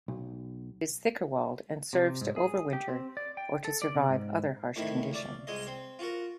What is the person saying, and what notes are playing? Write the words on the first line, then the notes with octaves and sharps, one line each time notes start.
It is thicker-walled and serves to overwinter or to survive other harsh conditions.
B1
C3
G#2
G#4
G4
C4
D5
G5
A4
D5
C3
G#2
A2 C3 D#3 E4
C#2 D5
C2 G#3 D#5
C4
F4 F#4 A#4